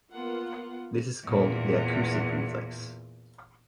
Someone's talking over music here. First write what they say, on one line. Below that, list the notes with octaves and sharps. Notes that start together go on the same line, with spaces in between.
This is called the acoustic reflex.
A#3 B3 F4 F#5
E2 A#2